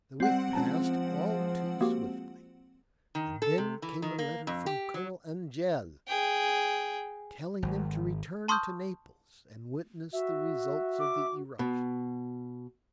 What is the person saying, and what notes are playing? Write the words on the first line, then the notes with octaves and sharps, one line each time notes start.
The week passed all too swiftly, and then came a letter from Colonel Angeli telling them to return to Naples and witness the results of the eruption.
G3 C4 F#5
F3 G#3 C#4 A5 A#5
A#3 F#4 G4
D#3
A4
C3
E3
D#3
A#3
F2
G4
F#3
G#4 G5
G#1
A5 C6 C#6 D#6 F6 G6
F#4 E5
D6
B2